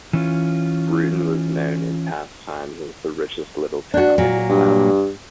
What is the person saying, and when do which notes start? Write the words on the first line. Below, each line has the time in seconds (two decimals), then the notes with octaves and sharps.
Brewton was known in past times as the richest little town in the South.
0.13 E3 C#4 F4
3.94 D4 F#4
4.18 A#2 F#3
4.49 G2